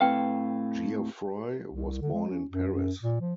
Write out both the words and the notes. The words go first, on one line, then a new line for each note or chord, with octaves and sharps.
Geoffroy was born in Paris.
A2 C4 B4 F5 G5
C2
D3
G#3
C#4
F#2
F#2
A#2
F3